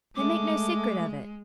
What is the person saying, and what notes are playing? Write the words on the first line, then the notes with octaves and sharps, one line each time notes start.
They make no secret of it.
G#3 A3 D6